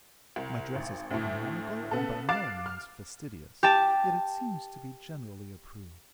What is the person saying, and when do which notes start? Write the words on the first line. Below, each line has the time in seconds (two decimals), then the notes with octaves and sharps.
My dress is economical and by no means fastidious; yet it seems to be generally approved.
0.36 C2
0.75 G#1
1.11 D2 A2
1.91 C#3 B3 A4
2.29 F5 D6 F#6 A6 C7 E7
2.66 F6
3.63 G4 A5